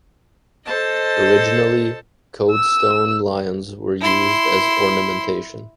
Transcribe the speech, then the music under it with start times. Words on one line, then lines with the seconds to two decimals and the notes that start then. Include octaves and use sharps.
Originally, Coade-stone lions were used as ornamentation.
0.65 A4 C5 D#5 A5
2.51 E6
4.01 E4 C6